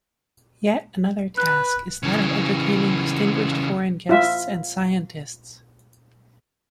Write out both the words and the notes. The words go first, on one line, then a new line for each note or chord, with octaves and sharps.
Yet another task is that of entertaining distinguished foreign guests and scientists.
B4 F#6
C#3 E3
F4 E5